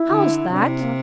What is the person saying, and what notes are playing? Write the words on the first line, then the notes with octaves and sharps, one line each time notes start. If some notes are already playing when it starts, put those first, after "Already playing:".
"How's that?"
Already playing: E4
D3
C3 D4
E4
A#3